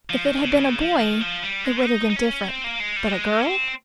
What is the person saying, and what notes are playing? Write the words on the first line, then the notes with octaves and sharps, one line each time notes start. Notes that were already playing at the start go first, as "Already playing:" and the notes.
If it had been a boy, it would have been different--but a girl!
F3
D#3
C#3
C#3
F3
D#3
F3
G3
G#3
D#4
D#4
C#4
C4
A#3
G#3
G3
G#3
C#4
C4